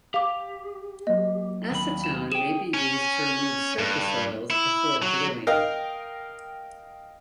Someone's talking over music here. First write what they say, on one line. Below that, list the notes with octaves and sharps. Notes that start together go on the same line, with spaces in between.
Acetone may be used to remove surface oils before gluing.
G4 F5 D6
F#3 A#3 D#5
D#2 B5
E7
G#4 G5 E7
C#4
G2
E4
F#3
A#4 D#5 F5 G5